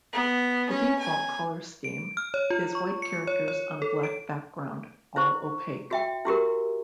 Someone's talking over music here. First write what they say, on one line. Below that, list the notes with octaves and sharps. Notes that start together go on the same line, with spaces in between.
The default color scheme is white characters on a black background, all opaque.
B3
C#4
G#5
D7
F6
C#5
F4
C#6
C#7
C#5
C#5
A4
D7
E4 C5 C#6
F#4 E5 G5
E4 F#4 G4 A#4